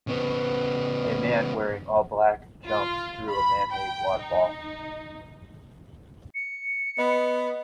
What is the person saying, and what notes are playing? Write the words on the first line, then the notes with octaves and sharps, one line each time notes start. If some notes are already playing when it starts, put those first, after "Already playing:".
A man wearing all black jumps through a manmade waterfall.
C#3 B3
F4
B5
G5
D#4
C#7
B3 D#5